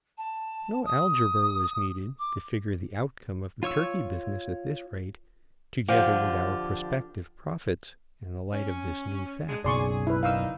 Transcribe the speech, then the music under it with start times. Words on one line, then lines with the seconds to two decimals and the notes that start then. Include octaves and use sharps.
No algebra was needed to figure the outcome of the turkey business at this rate, together with our prospective profits, in the light of this new fact.
0.17 A5
0.85 D#6
2.19 D6
3.63 F4 C#5 C#6 E6
5.88 D3 F3 G4
8.52 C#4
9.48 G#3 D4
9.64 F#1 B1 C#3 G#4 D5 C6 C#6
10.07 E4 B4
10.23 D#3 D4 D#4 F5 E6